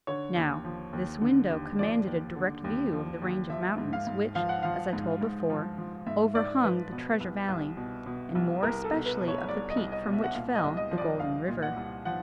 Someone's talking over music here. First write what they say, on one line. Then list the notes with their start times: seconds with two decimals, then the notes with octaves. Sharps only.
Now this window commanded a direct view of the range of mountains, which, as I told before, overhung the Treasure Valley, and more especially of the peak from which fell the Golden River.
0.07 D3 C#5
0.36 D#2
0.65 F3
0.93 D#2
1.21 D3
1.50 D#2
1.79 F3 D5
2.07 D#2
2.36 D3
2.64 D#2
2.93 F3
3.22 D#2
3.50 F3 E5
3.78 G#2
3.93 F5
4.07 G#2
4.35 F3 F5
4.49 F#5
4.63 F3 F5
4.93 G#2
5.21 G#2
5.50 F3
5.78 F3
6.07 G#2 E5
6.35 G#2 D5
6.63 F3 B4
6.91 B2
7.20 C2
7.48 C2
7.77 B2
8.06 B2
8.35 C2
8.63 C2 A#4
8.84 A4
8.91 B2
9.06 B4
9.20 B2
9.28 C#5
9.49 C2 D5
9.70 D#5
9.77 C2
9.92 D#5
10.06 B2
10.13 E5
10.24 F#5
10.35 A#2 F5
10.55 D#5
10.63 C2
10.77 D#5
10.91 F3
10.98 D5
11.20 C2 F5
11.48 A#2
11.62 F#5
11.77 C2
12.05 F3 F#5